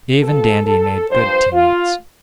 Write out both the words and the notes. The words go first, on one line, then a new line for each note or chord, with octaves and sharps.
Dave and Dandy made good team-mates.
G2 F3 A4
A4
G2 F3 C5
F4